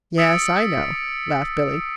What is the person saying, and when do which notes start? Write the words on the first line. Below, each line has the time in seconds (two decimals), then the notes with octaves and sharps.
"Yes, I know," laughed Billy.
0.18 D#6 E6 A6 B6 C#7 D7